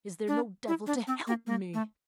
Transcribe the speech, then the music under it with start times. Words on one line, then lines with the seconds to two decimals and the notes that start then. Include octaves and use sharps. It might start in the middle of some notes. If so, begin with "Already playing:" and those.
Is there no devil to help me?'
0.28 D4
0.68 E4
0.87 D4
1.07 C4
1.27 A#3
1.47 A#3
1.74 A3